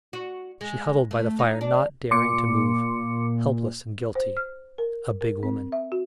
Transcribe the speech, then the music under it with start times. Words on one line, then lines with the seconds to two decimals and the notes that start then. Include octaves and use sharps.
She huddled by the fire not daring to move, helpless and guilty, a big woman.
0.13 F#4
0.61 G#3
1.11 A3
1.39 D#4
1.61 D4
2.11 A#2 C6 D6 C#7
4.15 C5
4.37 F6
4.78 A#4
5.21 A#4
5.43 C4
5.72 E5
5.92 F#4